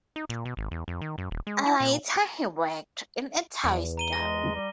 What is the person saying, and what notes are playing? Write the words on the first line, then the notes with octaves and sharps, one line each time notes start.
Later he worked in a toy store.
D#4
A#2
B2
G#1
E2
F2
D#3
F#2
D#1
G#3
E4
A#2
E2
A#5 D#7 G7
G#3 A#6
G3